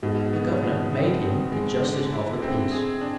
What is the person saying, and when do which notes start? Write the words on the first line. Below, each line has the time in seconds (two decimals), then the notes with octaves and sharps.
The governor made him a justice of the peace.
0.03 G#2 B2
0.33 B3
0.62 B2
0.93 C4
1.22 C4
1.52 G#3
1.83 D3
2.12 E4
2.42 C4
2.72 G#4
3.01 D4